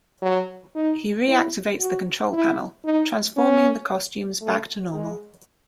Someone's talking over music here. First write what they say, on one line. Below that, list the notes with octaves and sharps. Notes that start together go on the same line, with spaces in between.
He reactivates the control panel, transforming the costumes back to normal.
F#3
D#4
E4
F#4
E4
D#4
C#4
A3
G#3